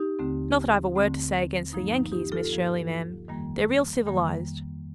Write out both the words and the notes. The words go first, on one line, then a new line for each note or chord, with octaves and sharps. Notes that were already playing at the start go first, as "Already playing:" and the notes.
Not that I've a word to say against the Yankees, Miss Shirley, ma'am. They're real civilized.
Already playing: D#4 G4
D#2 D3 A3 C4
D#2 D3 A3 C4
G2 F3 A#3 D#4
D#4
D#4 G4
F4 A4
G2 F3 A#3
F2 D#3 G3 A#3
F2 D#3 G3 A#3